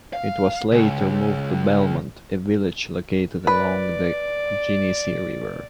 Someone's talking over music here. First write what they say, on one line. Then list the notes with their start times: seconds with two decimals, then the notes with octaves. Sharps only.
It was later moved to Belmont, a village located along the Genesee River.
0.13 F5
0.72 C#2
3.47 B4 D5